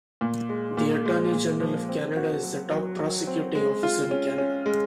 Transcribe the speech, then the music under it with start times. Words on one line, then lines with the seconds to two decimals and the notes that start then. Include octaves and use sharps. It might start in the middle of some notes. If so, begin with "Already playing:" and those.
The Attorney General of Canada is the top prosecuting officer in Canada.
0.21 A#2
0.49 G#3
0.77 A#2
1.05 G#3
1.32 A#2
1.60 F3
1.89 C4
2.17 F#4
2.44 F#3
2.71 F#3
2.99 F#3
3.27 C4
3.55 G#3
3.83 F4
4.11 C#4
4.38 C#4
4.66 G#3